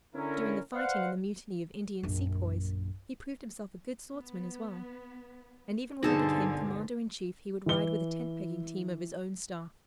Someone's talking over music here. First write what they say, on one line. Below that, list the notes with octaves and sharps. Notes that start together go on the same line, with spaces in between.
During the fighting in the mutiny of Indian sepoys, he proved himself a good swordsman as well; and even when he became Commander-in-chief, he would ride with a tent-pegging team of his own staff.
D3 C#4 E4 A#4
B4 C5 D5 F5 F#5
A#1 F#2
B3
G2 B2 D3 D#4 G#4 A4 C5
E3 G7